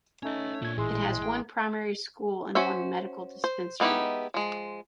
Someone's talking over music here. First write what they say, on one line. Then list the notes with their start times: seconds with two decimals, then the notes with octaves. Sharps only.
It has one primary school and one medical dispensary.
0.23 A3 C#4 D#4 C#5 D#5
0.62 A#2 D4 C#5 G#6
0.78 A1 A#2 G#3 E4 G#4 E5 C6
1.22 G5
2.55 C#4 F#4 C5 E5
3.44 C5
3.80 G#3 B3 D#4 E4 G4
4.34 F3 G#3